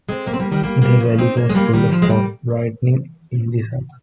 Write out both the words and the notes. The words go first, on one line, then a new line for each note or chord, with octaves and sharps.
The valley was full of corn, brightening in the sun.
G#3 C4
G3 A#3
C4
G3 A#3
D#3 G3
G3 A#3
G3 A#3
C#3 F3
C4 D#4
A#3 C#4
G#3
G3 A#3
G#3
D#3 G3
F3 G#3
G#3
G3 A#3